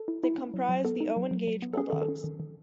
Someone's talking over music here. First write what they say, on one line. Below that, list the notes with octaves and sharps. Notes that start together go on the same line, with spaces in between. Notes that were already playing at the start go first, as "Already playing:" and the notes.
They comprise the Owen-Gage Bulldogs.
Already playing: A4
E4
E4
C#4
F#3
F#3
B3 A4
D#4
F#3
F#3
F#3
B3
A4
C#4 G#4
A4
D#3
A4
C#4
D#3
D#3